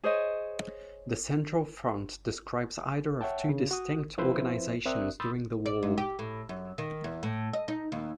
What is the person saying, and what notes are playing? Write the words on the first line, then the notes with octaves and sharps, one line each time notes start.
The Central Front describes either of two distinct organizations during the war.
G#4 C5 C#5 D#5
C#5 E5 F#5 G5 A5
C#3
F#4 D#6
F3 C4 E4 B4 C5 E5
C4 A#4 D5 E5 D#6 F#6
B5 C6 D#6 E6 G6 A6
D5
G#2
G4
A2
F#2
D#3
E2
A2
D#5
D#4
D#2